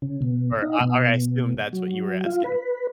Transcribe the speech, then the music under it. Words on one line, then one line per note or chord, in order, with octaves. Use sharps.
Or I or I assume that's what you were asking.
C#3
B2
D#4
B2
F#3
F4
B4